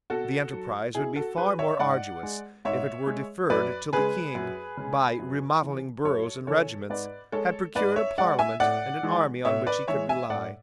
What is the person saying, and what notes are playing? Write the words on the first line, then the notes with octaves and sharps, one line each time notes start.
The enterprise would be far more arduous if it were deferred till the King, by remodelling boroughs and regiments, had procured a Parliament and an army on which he could rely.
B2 F#4 A4
F#3
B2 E4 G#4
F#4 A4
F#3 G#4 B4
C#5 E5
G#2 D5 F#5
G#3
G#2 C#5 E5
G#3
F#2 B4 D5
C#3 G#3 G#4 B4
F#2
C#3 G#3
F#2
C#3 E3
F#2 A4 C#5
C#3 E3 A4 C#5
G#2 B4 D5
G#3 A4 C#5
G#2 B4 D5
C#5 E5
G#3 D5 F#5
E5 G#5
A2 D5 F#5
E3 G#3
A2 C#5 E5
B4 D5
E3 G#3 C#5 E5
E5 G#5
A2 D5 F#5